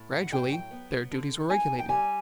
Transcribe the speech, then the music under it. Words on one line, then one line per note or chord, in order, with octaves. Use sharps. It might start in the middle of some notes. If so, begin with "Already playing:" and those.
"GRADUALLY their duties were regulated."
Already playing: A2
F#5
F#3 G5
G5
B3
D3
D#4 G#5
G5
G3 G#5